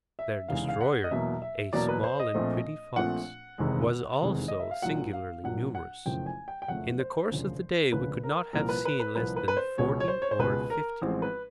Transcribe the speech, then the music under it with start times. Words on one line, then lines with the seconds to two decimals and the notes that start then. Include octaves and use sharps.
Their destroyer, a small and pretty fox, was also singularly numerous; in the course of the day we could not have seen less than forty or fifty.
0.19 E5
0.48 F1 E2 C#3 E3 G#3 F5
0.68 F5
0.81 F#5
1.04 D#5
1.11 E2 B2 F#3 A#3 E5
1.42 E5
1.73 E2 B2 F#3 A#3 D5
1.88 B4
2.04 C5
2.19 D#5
2.34 A#1 A#2 F3 A3 C4
2.96 A#1 A#2 F3 A3 C4 F#5
3.58 F1 E2 C3 D#3 G#3
4.21 F1 E2 C3 D#3 G#3
4.48 D#5
4.60 E5
4.71 F5
4.82 A#1 A#2 F#3 F#5
5.13 F5
5.44 A#1 A#2 F#3 F#5
5.75 F#5
6.06 F#1 F2 C#3 F3 A3 G5
6.26 G#5
6.48 G5
6.62 G5
6.68 F#1 F2 C#3 F3 A3 F#5
6.99 C5
7.29 E1 D2 C#3 F3
7.92 E1 D2 C#3 F3 B4
8.24 A#4
8.53 C2 A#2 F3 A#3 A#4
8.69 B4
8.85 B4
9.00 B4
9.15 C2 A#2 F3 A#3 B4
9.36 B4
9.48 B4
9.57 C5
9.78 C#2 B2 G#3 C#5
10.00 C#5
10.08 C5
10.22 C#5
10.31 C5
10.39 C#2 B2 G#3 B4
10.70 A#4
11.01 A1 A2 F3 G#3 C4
11.22 B4